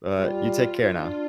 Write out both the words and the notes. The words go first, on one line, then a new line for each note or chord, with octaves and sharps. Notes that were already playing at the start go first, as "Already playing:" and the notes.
But, you take care now.
G3 F4
D4